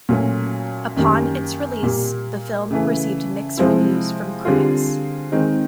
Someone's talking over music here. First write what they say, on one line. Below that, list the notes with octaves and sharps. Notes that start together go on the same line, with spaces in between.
Upon its release, the film received mixed reviews from critics.
A#2 F#3 A3 C#4
F#2 D#3 G3 A#3
A#2 G3 A#3
C#3 E3 A3
C3 F3 G#3 C4 E4
D3 G3 C4 F4 G#4
D#3 G#3 C4 D#4